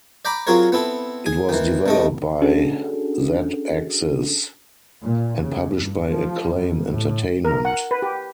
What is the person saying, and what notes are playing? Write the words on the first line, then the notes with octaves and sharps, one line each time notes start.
It was developed by Z-Axis and published by Acclaim entertainment.
D5 G5 A#5 B5 D6
F#3 C4 F4 G#4 A#4 C#5
B3 C4 E4 A4
G#4 G#5
D#3 E3
C3 A3 D#5
C#4 D4 F#4 G#4 A4
A#2
C#3
G2
F3
F2
A2
A#4
F#5
B4
G4